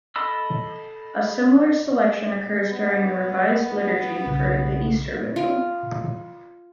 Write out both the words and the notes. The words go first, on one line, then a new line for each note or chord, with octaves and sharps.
A similar selection occurs during the revised liturgy for the Easter Vigil.
A4 D#5 B5 E6
B3
B1 C#3
F4